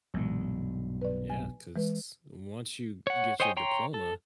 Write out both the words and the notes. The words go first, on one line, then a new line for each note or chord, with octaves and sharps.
Yeah, 'cause once you ge get your diploma,
B1 G2 A#2 E3 G#3
B4 D5
G#5
E3 G#3 B4
C#5 F#5
C5 C#5 D#5 G5 G#5
C#5 G5 A#5 C6
A4